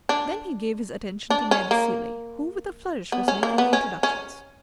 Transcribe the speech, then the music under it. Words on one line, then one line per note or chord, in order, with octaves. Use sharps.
Then he gave his attention to Ned Cilley, who with a flourish was making the introductions.
D4
D4
C#4
A#3
B3
C#4
A#3
B3
C#4
C#4